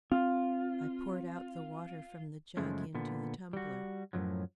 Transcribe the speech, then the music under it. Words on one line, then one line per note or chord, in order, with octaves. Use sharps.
I poured out the water from the jug into the tumbler.
C4 F4
F#2 C#3 F3 G#3 A3 C#4
A#2 D3 B3
G3 F#4
F#2 A2 C3 F3 F#3